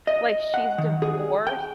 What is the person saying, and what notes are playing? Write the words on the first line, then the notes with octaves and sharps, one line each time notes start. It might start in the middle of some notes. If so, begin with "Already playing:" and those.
like, she's divorced
D#5
F#5
D#3
G#4
G5